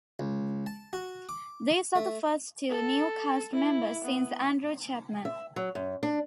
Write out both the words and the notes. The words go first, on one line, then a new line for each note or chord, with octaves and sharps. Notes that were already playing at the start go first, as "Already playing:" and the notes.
These are the first two new cast members since Andrew Chapman.
C#2
A5
F#4
D6
A3
A4
E4
B3
E5
F#3
F#2
D4